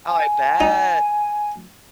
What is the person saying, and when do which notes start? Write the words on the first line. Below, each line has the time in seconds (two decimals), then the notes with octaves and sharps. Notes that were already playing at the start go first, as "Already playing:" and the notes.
I bet!
0.05 G#5
0.60 D#4